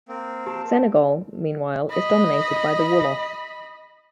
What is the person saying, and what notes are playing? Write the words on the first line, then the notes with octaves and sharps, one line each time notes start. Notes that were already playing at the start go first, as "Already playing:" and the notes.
Senegal, meanwhile, is dominated by the Wolof.
A#3 C4
G4 A5
D#5 B5